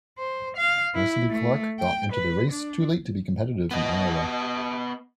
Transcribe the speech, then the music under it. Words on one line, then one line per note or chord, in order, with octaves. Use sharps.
Wesley Clark got into the race too late to be competitive in Iowa.
C5
F5
E4
A3
G5
B4
D4
B3 D#5